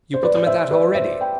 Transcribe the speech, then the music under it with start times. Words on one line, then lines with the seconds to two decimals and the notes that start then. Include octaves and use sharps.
You put them at that already?...
0.14 C5
0.23 B4 D5
0.34 D5
0.46 C5 E5
0.71 B4 D5
0.95 C5 E5
1.21 G5